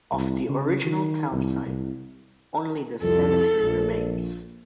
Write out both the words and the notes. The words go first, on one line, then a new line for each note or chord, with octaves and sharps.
Of the original townsite, only the cemetery remains.
C2
C#3
D#3
C2
C2
C2 F2 A4
A#1